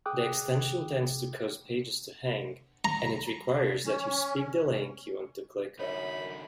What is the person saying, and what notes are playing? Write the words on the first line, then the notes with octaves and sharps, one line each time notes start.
The extension tends to cause pages to hang, and it requires that you speak the link you want to click on.
G#4 G5 D6 D#6 F#6
A#5
C#4
F#2 D3 C#4 D#4 C#5 E5 B5